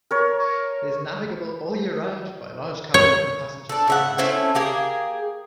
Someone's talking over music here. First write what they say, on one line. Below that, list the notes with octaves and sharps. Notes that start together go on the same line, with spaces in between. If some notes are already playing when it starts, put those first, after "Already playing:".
It is navigable all year round by large cargo and passenger steamers.
A#4 C#5
C#5
D4 A4
C#3 E5 F#5
A3 C4 C#4 E4
A#3 G4 G#4